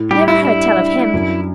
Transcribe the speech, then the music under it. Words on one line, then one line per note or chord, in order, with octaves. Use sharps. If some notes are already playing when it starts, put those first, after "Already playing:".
"Never heard tell of him!"
Already playing: A2
G3 G4
E4
D4 E4
D4
F#2